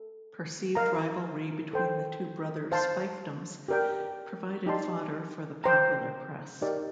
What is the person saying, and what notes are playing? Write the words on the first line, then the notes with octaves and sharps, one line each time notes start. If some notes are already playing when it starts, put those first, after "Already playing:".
Perceived rivalry between the two brothers' fiefdoms provided fodder for the popular press.
Already playing: A4
A#4 F5 A#5
A4 C5 G5 C6
C5 F5 A5 C6
G4 A#4 D5 G5
D#4 G4 D5 A5 C6
C5 G5 A#5
D#4 G4 A#4 D5